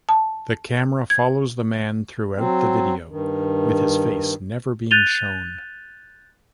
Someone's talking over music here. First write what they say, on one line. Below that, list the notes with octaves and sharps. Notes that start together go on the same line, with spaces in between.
The camera follows the man throughout the video, with his face never being shown.
A5
G#6
F#3 C4
G2 D#3
F#6 G6 A6 D#7 F7 G7